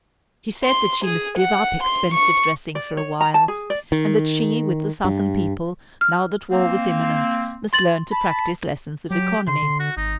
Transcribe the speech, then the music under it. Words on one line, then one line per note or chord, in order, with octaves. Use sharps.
She said that she must give up expensive dressing for a while; and that she, with the Southern people, now that war was imminent, must learn to practise lessons of economy.
C6
G#4
F#5
C6
C#6
D5
C#5
A#5
A5
G#4
D5
D#3
G2
F6
A#3 C4
C6 A6 F#7
A5 B5
F#3 G4
C#3 C6
D3
F#4
G#1 D#4